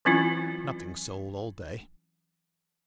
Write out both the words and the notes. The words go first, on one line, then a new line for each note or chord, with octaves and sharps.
Nothing sold all day.
E3 F#3 C4 C#4 E4 F4